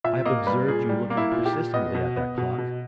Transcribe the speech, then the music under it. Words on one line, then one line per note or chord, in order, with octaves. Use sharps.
I have observed you looking persistently at that clock.
A#2 E5
A#3 D#5
G3 B4
A#2 G#4
G3
A#3
E4
A#2
G4
A#2
B3 D#5
B2
B3
B2
B2